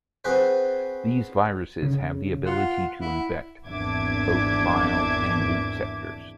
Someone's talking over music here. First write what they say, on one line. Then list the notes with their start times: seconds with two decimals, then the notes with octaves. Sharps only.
These viruses have the ability to infect both files and boot sectors.
0.24 C4 F#4 G#4 B4 C5
1.82 C#3
2.46 F4 F#5
3.01 E4
3.66 G#1 E2 D4 E5 D6 G#6